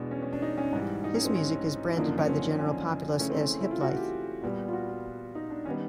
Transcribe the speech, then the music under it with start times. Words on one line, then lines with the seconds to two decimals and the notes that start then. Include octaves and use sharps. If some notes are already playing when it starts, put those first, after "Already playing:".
His music is branded by the general populace as hiplife.
Already playing: E2 B2 G#3 B3 D4
0.11 C#4
0.22 C#4
0.32 D4
0.42 D#4
0.58 C#4
0.73 G#2 E3 G3
1.04 D#4
1.14 C#4
1.25 C4
1.35 C#4
1.89 E4
1.96 F#2 D3 F3 A#3 D#4
2.08 D4
2.18 C#4
2.27 C4
2.58 C#4
3.19 C#3 E3 A3 C#4
3.30 C4
3.40 C#4
3.61 E4
3.71 F4
3.81 F#4
3.96 G4
4.42 A#2 G3 B3
4.68 F4
4.73 F#4
4.89 F4
5.35 D#4
5.50 D4
5.65 D#3 G3 B3 C#4